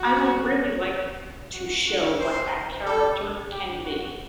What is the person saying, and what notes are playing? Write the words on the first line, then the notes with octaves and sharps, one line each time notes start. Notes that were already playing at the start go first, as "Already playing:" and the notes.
I would really like to show what that character can be.
Already playing: F#4
F#4
F#4
C5
A4
G4
F#4